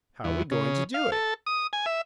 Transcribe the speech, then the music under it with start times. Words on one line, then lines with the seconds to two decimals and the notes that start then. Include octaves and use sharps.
"How we goin' to do it?"
0.24 E2
0.52 C#3
0.94 F5
1.12 A4
1.46 D#6
1.73 G#5
1.86 E5